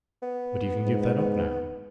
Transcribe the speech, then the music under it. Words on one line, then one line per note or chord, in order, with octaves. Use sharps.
"But you can give that up now."
B3
G#2